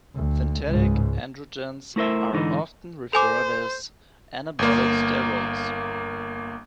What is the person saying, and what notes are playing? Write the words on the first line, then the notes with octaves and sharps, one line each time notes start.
Synthetic androgens are often referred to as anabolic steroids.
D2
C#2 G#2
A3 E4 A#4 C5 E5
G#2 D3 E3 D#4
A4 C5 G#5 D6
G1 A#3